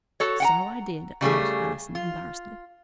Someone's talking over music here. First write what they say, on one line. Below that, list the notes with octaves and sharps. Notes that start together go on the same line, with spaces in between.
"So I did," acknowledged Allison embarrassedly.
F#4 A4 C#5
F#5 G5 A#5
C#3 G3 A3 G#4
F4